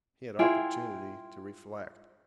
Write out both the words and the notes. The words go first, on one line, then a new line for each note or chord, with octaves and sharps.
He had opportunity to reflect.
E4 F4 G#4 G5